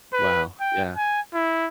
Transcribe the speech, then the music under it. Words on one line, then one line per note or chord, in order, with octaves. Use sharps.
Wow, yeah.
B4
G5
G#5
E4